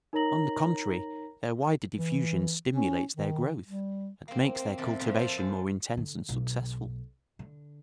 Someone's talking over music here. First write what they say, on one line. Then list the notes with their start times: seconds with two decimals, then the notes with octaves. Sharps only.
On the contrary, their wider diffusion stimulates their growth and makes their cultivation more intense and successful.
0.13 D#4 A#4 C#5 A#5 A#6 F#7
1.96 E3
2.73 C#4
3.17 D#3
3.68 G3
4.28 A#3 C4
4.55 A#3 C4
4.78 E2 C3 A4
4.99 F2 A#2 F3
5.19 A4 C5
5.38 F#2
5.97 D3
6.29 B1
7.39 D3